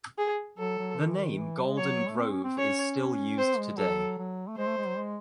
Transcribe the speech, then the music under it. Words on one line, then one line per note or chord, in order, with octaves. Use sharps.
The name Golden Grove is still used today.
G#4
F#3 A4
F#3
D#3
E3
D#3
E3
F#3
G#3
F#3 C#5
A3
C4
C#4
C4
C#4 C#5
C4 C5
G#3
F#3 A4
F#3
A3
G#3 C5
A3
G#3
F#3
G#3